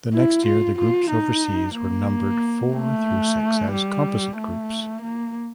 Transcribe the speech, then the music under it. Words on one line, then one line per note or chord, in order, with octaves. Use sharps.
The next year the groups overseas were numbered four through six as "composite" groups.
E4
F4
F4
D#4
A#3
A3
G3
A3
A#3